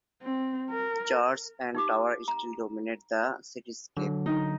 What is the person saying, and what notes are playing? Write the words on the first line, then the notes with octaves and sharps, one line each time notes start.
Church and tower still dominate the cityscape.
C4
A#4
D#4 G4 D6
A#5
D3 F#3
D#4